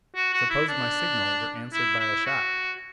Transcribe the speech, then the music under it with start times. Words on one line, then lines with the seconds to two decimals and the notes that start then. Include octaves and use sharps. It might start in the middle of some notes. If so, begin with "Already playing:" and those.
Suppose my signal were answered by a shot?
0.16 F#4
0.34 F#4
0.50 E4
0.69 D4
1.73 E4
2.00 E4
2.26 F#4